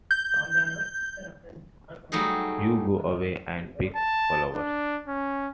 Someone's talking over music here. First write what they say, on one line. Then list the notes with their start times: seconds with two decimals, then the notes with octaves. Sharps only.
You go away and pick flowers.
0.11 G6
2.12 F#3 G3 A3 D#4 G#4
3.96 A5
4.54 D4
5.08 C#4